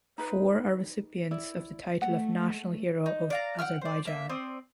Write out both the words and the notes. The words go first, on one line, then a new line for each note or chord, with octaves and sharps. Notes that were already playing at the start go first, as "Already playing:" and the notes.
Four are recipients of the title of National Hero of Azerbaijan.
D#4 B4
E4 D5
A3 F#5
D#4
D5 F5 A#5
F#5 G5 E6 F6
C5 D5
A#3 E5
C4 D5 D#6